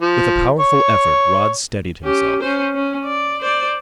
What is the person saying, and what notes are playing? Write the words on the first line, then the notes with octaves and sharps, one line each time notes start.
With a powerful effort Rod steadied himself.
F3
C#5
C#4 G4
C#4 C5
C#4
D5
C5 D5